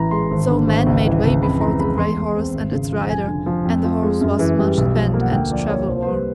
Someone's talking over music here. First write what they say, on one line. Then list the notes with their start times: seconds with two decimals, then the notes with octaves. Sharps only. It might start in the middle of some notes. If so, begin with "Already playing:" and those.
So men made way before the grey horse, and its rider, and the horse was much spent and travel-worn.
Already playing: A1 E3 A#5 B5
0.11 G#3 C6
0.31 G#1
0.49 D3
0.67 G#1
0.87 C#2
1.05 E3
1.24 C#2
1.42 F2 B5
1.60 E3 A#5
1.79 G#3 B5
1.97 E2 C6
2.16 G#3
2.35 C4
2.54 G#1
2.72 C#3
2.91 F3
3.09 F1 G#5
3.27 D3
3.46 F3
3.65 F2
3.84 F3
4.03 G#3
4.21 F#2
4.39 E3
4.59 G3
4.77 B1
4.95 F3
5.14 A#3
5.21 F#5
5.32 D2 G5
5.51 F3 D5
5.69 A#3 C#5
5.88 C2 C5
6.02 C5
6.07 G3 B4